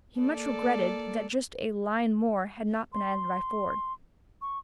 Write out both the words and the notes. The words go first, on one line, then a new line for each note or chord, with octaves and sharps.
He much regretted that just a line more had not been added by Ford.
A#3 A4 D5
C6
C#6